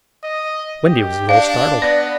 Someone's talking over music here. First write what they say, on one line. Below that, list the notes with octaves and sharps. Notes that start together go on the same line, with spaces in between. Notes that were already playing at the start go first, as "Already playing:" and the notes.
Wendy was a little startled.
D#5
G4
D4 D5 F5
B3 D5